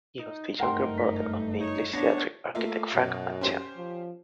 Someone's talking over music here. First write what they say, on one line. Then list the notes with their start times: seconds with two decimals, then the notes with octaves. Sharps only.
He was the younger brother of the English theatre architect Frank Matcham.
0.19 D#4
0.59 F#1 G2 A3 D#4 A#4 F#5 G5 C6
0.98 B6
1.60 D#4 C#5
1.93 B3 D4 C#5 A#6
2.55 A3 A#3 F4 E5
2.95 F#2 B2
3.41 C#4 G4 C5
3.77 F3